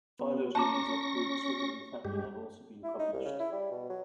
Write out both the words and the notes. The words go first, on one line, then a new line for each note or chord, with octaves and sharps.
Phylogenies of groups within the family have also been published.
B3
C#4 A5 A#5 C#6 D6 A#6
G2 G#3 G4
E4
D#4
C2
C#3
E4
G3
B2
F#3